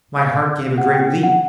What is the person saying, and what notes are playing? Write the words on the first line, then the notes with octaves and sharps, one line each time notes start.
My heart gave a great leap.
F5
F#5
G5
F#5